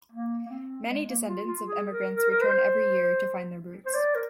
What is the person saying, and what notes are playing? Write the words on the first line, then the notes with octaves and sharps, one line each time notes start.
Many descendants of emigrants return every year to find their roots.
A#3
A#3
C4
G#3
A#3
F4
F4
G#4
A#4
A#4
A#4
C5
C5
D5
A#4